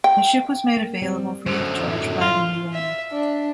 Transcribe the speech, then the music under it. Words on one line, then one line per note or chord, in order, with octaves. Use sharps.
The ship was made available free of charge by the new owner.
G5
A#3
G3 C4
F#2 D3 C5
A2
F4
E5
D4